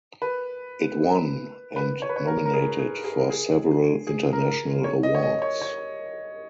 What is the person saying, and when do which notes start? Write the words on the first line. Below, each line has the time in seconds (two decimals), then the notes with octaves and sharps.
It won and nominated for several international awards.
0.22 B4
1.76 B4
2.02 C#5
2.09 B4
2.16 C#5
2.27 A#4
2.46 A#4
2.53 G#4
2.79 G#4
3.04 G#4
3.30 G#4
4.07 G#4
4.33 A#4
4.84 C#5
5.03 D#5
5.15 C#5
5.22 D#5
5.42 C#5
5.61 C#5